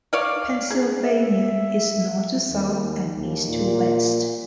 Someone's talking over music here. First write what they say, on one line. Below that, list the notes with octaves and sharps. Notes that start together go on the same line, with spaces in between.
Pennsylvania is north to south and east to west.
C#5 D5 F5
G#4
E5
D#2
D#2
A#2